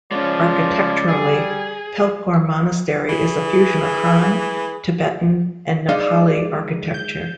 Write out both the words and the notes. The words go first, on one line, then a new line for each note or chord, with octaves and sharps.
Architecturally, Pelkhor monastery is a fusion of Han, Tibetan and Nepali architecture.
F3 G#3 C#4 D5
G3 G#4
E3 G#4
G#3 D#4 D5 F5
G6